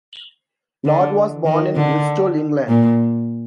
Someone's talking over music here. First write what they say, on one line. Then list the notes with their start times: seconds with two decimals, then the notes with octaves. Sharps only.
Lord was born in Bristol, England.
0.85 D3
1.45 D#3
1.75 D3
2.68 A#2